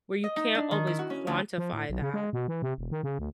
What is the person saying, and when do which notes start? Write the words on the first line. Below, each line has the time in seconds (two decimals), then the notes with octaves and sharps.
where you can't always quantify that
0.24 D#5
0.36 D#4
0.55 D4
0.71 D#3
0.87 E4
0.99 F#4
1.10 C#4
1.27 D2
1.58 F3
1.73 A2
1.90 B1
2.02 C#3
2.14 G#3
2.33 B2
2.48 E3
2.62 C3
2.78 E1
2.91 D#3
3.03 C#3
3.19 D2